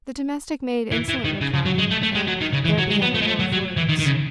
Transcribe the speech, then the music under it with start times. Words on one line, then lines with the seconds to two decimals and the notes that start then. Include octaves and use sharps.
The domestic made insolent reply, and there began a war of words.
0.91 E3
1.08 E3
1.24 D#3
1.41 C#3
1.54 C#3
1.65 F#3
1.78 G#3
1.91 A3
2.03 A3
2.15 G#3
2.28 F#3
2.41 D#3
2.53 C#3
2.65 E3
2.78 F#3
2.90 G#3
3.02 B3
3.14 A3
3.21 G#3
3.27 A3
3.39 F#3
3.52 F#3
3.77 E3
3.89 D#3
3.99 D#3
4.06 C#3